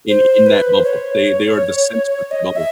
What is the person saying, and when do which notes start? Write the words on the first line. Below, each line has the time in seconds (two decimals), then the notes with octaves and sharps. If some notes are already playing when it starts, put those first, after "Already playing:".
in in that bubble. They they are the center of the bubble,
0.08 C5
0.46 B4
0.75 C5
0.84 C#5
2.31 D#5
2.56 E5